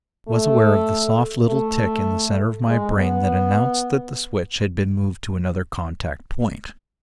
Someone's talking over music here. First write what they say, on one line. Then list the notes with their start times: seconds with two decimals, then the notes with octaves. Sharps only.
I was aware of the soft little tick in the center of my brain that announced that the switch had been moved to another contact point.
0.28 A3
1.48 A3
2.67 G#3
2.98 B3